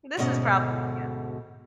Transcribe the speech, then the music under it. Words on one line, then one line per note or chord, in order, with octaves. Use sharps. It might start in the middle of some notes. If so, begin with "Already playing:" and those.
this is probably, you know"
D2 G#2 B2 C#4 D#5 F#5